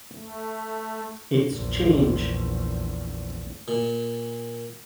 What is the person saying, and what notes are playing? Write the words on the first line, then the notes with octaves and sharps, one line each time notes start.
It’s change.
A3
A#1 E2
A#2